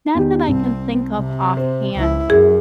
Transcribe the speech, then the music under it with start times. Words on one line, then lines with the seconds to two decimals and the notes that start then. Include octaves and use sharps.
Not that I can think of offhand,
0.15 E2 D#3 G4
0.48 C2 C4
1.16 C3
1.57 C5
1.94 C#2 E4
2.30 F#2 G#4